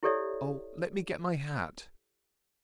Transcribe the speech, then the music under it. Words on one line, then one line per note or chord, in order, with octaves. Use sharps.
"Oh--let me get my hat!"
E4 G4 A4 C#5 D5 E5